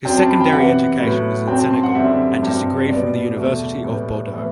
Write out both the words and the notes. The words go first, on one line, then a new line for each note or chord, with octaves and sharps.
His secondary education was in Senegal and his degree from the University of Bordeaux.
F#2 F#3 C4 G5
A5
B5
G5
C3 E3 B3 F#5
A2 F#3 B3
F#2 F#3 C4 G5
A5
C6
F#5
F#2 D3 G3 C4 E5
G2 F#3 C4
B2 G3 B3 D5
E2 B2 A3
A2 G3 B3
A2 E3 B3